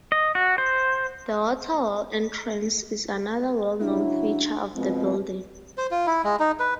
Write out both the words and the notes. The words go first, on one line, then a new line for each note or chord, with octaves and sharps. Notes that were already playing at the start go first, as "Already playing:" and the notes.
The water-wall entrance is another well-known feature of the building.
D#5
F#4
C5
C#3 F#3 D4 E4
B2 F3 G#3 C4
C5
F4
E4
G#3
D#4
B4